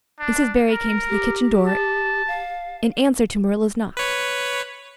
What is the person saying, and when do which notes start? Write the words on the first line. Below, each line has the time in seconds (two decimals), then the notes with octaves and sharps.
Mrs. Barry came to the kitchen door in answer to Marilla's knock.
0.20 D4
0.71 A#4
1.09 G4
1.67 A5
2.28 F5
3.97 B4 C#5